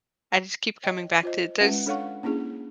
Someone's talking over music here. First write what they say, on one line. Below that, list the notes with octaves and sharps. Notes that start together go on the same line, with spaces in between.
I just keep coming back to there's
C#5 D#5 G5
F4 C5 D#5
G#3 C#4 F4 B4 E5 F#5
D4 A4 C#5 F5 F#5 C#6
A#3 C#4 D4 E4 G#4